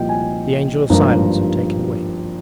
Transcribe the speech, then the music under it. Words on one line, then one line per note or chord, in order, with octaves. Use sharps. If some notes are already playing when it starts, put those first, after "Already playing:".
The Angel of Silence had taken wing.
Already playing: C2 A#2 F3 D#5 G5
G#5
G#1 G2 F3 A#3 F4 A#5